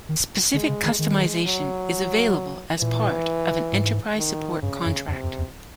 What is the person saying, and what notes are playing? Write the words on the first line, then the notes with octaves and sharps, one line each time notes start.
Specific customization is available as part of an enterprise support contract.
D#3
D3 G#3
C#3
D#3
D#3 G#3
F#3
A#2 E3
G#2
D#3
G2 C#3
F#2
F2 C3
F2
E2